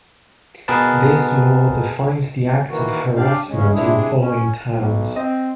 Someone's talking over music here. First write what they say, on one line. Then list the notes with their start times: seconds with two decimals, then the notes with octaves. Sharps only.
This law defines the act of harassment in following terms.
0.68 B2 B3 G#4 A#4 B4 A5
2.70 D#3 E3 A#3 F#4
3.16 D4 G4 D5 F5
3.49 E2 C#3 G#3 C#4
3.73 C3 G#3 D4 E4 G#4
4.20 C#4
4.75 B1
5.16 C4 D#5